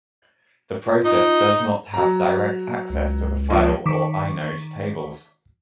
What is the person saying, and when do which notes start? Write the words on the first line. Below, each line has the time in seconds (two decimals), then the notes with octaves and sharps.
The process does not have direct access to the file or inode tables.
0.86 F4
1.05 D#4
1.94 F#3 A#5
2.90 C#2
3.50 A#1 F3
3.86 D#3 C#6 D6 B6